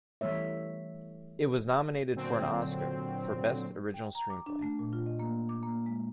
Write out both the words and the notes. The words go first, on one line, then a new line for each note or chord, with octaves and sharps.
It was nominated for an Oscar for best original screenplay.
E3 G3 A3 C#5 E5
A#2 D3 F#3 C4
G5
A#5
D6
D4
A3
A#2
F4
D#5
A#3
D6
A#3
G#3